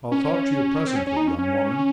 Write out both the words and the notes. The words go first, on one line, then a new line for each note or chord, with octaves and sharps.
I'll talk to you presently, young woman.
C#4
C4
C#4
C#4
D#4
C#4
C#4